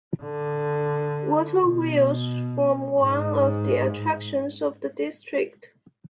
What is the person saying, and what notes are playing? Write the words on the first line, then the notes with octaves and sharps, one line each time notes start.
Water wheels form one of the attractions of the district.
D3
B2
G#2